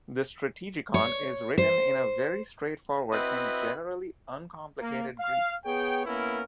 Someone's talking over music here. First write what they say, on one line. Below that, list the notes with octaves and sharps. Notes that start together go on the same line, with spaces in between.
The Strategikon is written in a very straightforward and generally uncomplicated Greek.
C#5
C5
C4 E4 F#4 B4 D#5 E5
A#3
F5
B3 G#4 C#5 G5
A#3 B3 C#4 E4 A#4